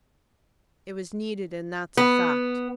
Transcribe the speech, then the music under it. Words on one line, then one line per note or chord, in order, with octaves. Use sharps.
It was needed and that's a fact.
B3